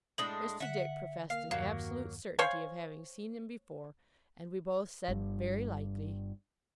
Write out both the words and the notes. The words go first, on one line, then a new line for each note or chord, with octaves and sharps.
Mr. Dick professed an absolute certainty of having seen him before, and we both said, 'Very likely.'
A2 G#3 D4 F#7
D3 E5 F#5
A#3 A#4 F5 C7
E2 G2 D#3 F#3 A#3 F5
C5 C#5 F5 G#5
G1 G2